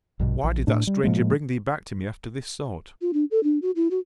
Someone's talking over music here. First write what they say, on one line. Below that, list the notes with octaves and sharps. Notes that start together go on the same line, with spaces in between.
Why did that stranger bring thee back to me after this sort?
A#1 G2 B2
A#1
A2 D4
G3
A2 F3 G#3 A#3
F4
D4
A4
D4
F#4
E4
F#4